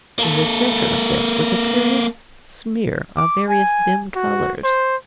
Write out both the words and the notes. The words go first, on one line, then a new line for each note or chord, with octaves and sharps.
In the center of this was a curious smear of various dim colors.
A#3 A4
D6
G#5
F#4
C5